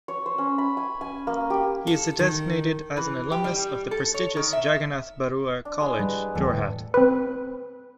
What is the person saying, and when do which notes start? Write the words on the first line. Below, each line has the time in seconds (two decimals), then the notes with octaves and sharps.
He is designated as an alumnus of the prestigious Jagannath Barooah College, Jorhat.
0.08 C#5
0.26 C5
0.38 C#4
0.58 B5
0.77 G#5
1.01 G#5
1.27 A#3
1.50 G4
1.87 A4
2.19 D#3
2.97 E3
3.31 G4
3.44 G3
3.91 A4
4.14 C#5
4.37 D#3
4.53 E5
5.65 D4
5.81 G#3 E4 F5
5.99 G3 B4
6.35 E2 A#2 E3 A4 B4 G5
6.48 D2 A2
6.94 C4 B4